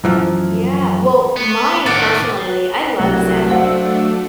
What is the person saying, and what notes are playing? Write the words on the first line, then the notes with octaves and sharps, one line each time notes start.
Yeah, well, f mine personally, I love salmon.
F#2 E3 F3
B3
A2 D#3 D5 F#5
B4
C2 F#3 A3 D4 F#4
C5 F5 F#5 E6